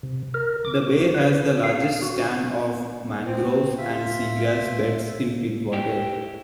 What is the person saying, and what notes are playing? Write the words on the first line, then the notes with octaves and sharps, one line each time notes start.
The bay has the largest stand of mangroves and sea grass beds in Pittwater.
C3
A#4
D6
F#4
B4
F5
F#4
C4
F4 E5
E4 G4